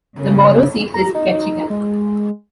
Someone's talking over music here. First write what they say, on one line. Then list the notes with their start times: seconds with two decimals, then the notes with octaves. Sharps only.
The borough seat is Ketchikan.
0.18 C#3
0.94 A#5
1.15 D#4
1.70 G#3